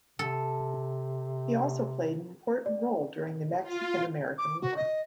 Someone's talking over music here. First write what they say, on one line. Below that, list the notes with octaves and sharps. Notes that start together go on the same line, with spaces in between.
He also played an important role during the Mexican-American War.
C3 A4
D5
F4
D6
F#4
D#5